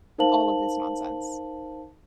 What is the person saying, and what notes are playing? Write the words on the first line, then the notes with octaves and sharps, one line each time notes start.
with all of this nonsense,
D#4 A#4 C5 F5 A5 F#7